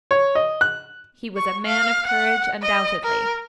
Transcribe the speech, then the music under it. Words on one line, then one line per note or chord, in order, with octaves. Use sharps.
He was a man of courage undoubtedly.
C#5
D#5
F#6
C#6
F5
F#5
D#5
A#4